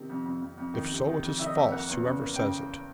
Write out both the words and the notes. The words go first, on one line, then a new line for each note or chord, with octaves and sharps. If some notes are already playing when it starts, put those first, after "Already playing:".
If so, it is false, whoever says it.
Already playing: C3 D#3
F2
F2
F2
F2
D#3
C3
D#3
F2
D#3 E5
D#5
F2 E5
A#3 F#5
E2
C#3
A#3
C#3 G5